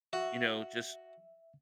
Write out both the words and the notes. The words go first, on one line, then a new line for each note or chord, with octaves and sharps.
you know, just
F#4 E5